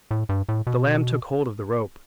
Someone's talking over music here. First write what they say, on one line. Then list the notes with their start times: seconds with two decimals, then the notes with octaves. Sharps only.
The lamb took hold of the rope.
0.11 A2
0.29 G2
0.49 A2
0.67 B2